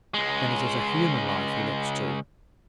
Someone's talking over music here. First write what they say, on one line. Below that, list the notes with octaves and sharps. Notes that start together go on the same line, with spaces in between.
Then it is a human life he looks to!
C#2 G#3